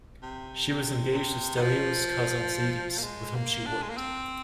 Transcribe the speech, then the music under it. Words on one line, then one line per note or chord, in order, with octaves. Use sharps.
She was engaged to Stelios Kazantzidis, with whom she worked.
C3
C3
A#2
C3
D#3
F3
A#3
G#3
A#3
D4
G#3
A#3
C4